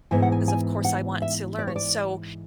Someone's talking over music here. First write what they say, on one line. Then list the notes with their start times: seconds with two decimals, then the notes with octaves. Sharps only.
of course, I want to learn, so,
0.11 G#2 E3 B3 E4 G#5
0.22 F#5
0.32 G#5
0.48 G#5
0.85 F#5
1.22 E5
1.59 D5
1.67 C#5
1.76 D5